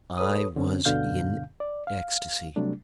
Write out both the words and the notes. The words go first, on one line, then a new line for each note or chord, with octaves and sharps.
I was in ecstacy.
A4 B4 C#5 D#6
D3 C4 C#4
D2 G2 B2 D3 F5 G6
D5
F5
C3 F#3 G3 A3 D4